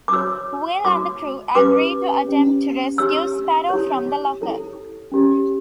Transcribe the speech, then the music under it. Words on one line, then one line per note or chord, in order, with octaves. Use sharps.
Will and the crew agree to attempt to rescue Sparrow from the Locker.
D6
F#4 C#5 E6
F#4 C#5 D6
C#4 G4 B4 D6
C#4 G4 C#5
D4 G4 C#5 E6
E4 G4 C#5
E4 A4 C#5
C#4 G4 C#5